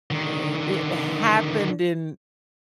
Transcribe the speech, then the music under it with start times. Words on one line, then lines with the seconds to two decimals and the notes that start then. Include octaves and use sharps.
yeah, it happened in
0.11 D3 D#3